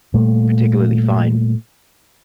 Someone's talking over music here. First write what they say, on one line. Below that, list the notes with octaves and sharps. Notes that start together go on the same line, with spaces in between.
particularly fine,
A#2 G3 A3